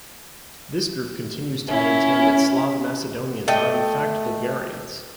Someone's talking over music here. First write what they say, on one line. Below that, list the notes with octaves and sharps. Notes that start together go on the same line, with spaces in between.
This group continues to maintain that Slav Macedonians are in fact Bulgarians.
C#4 E4
A3 D#5 G5